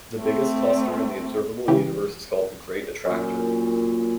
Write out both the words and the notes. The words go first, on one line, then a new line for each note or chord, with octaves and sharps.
The biggest cluster in the observable universe is called the Great Attractor.
A3 C4
C#3 E3 G4
F#2 A#2